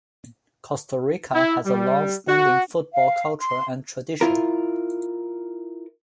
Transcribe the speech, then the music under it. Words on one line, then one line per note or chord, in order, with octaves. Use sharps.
Costa Rica has a long-standing football culture and tradition.
E4
G3
F#4
F5
C6
E4 F4 A#4